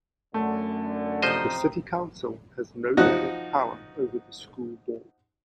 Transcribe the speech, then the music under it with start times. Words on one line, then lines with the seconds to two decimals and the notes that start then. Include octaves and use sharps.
The city council has no direct power over the school board.
0.34 F#2 D3 A3
1.22 C3 F3 C4 D#4 C5 D#5
2.97 F3 D#4 F#4 F#5